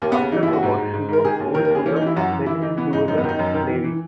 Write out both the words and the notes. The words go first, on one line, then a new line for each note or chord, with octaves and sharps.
After the war she was sold to the Venezuelan Navy.
D#2 A#3
B3
C#3
E3 D#4
E4
D#2
F#4
G#2
G#2
G#2
G#2 A#4
D#3 G#4
D#2
D#3 A#4
A#4
D#2
G#4
E3 C#4
D#4
E3
E4
F#2 F#4
E3
E3 E4
E3 D#4
E3 B3
G#2 D#4
F#2 D#4
B3
D#3 D#4
F#2
D#3
E3
E3